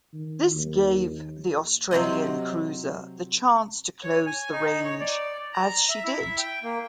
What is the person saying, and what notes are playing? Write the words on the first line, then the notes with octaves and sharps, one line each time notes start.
This gave the Australian cruiser the chance to close the range, as she did.
D#3
D#2
C3 F#3 C4 D#5
C#5
G#5
D#4
C#5
D5
A#5
E5
E4
E5
G5
A#3